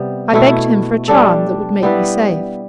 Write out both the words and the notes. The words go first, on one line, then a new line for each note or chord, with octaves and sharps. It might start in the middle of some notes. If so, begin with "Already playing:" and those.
I begged him for a charm that would make me safe.
Already playing: C3 G3 B3
B2 A3 E4
G3 D4 A4
G3 B3 E4 B4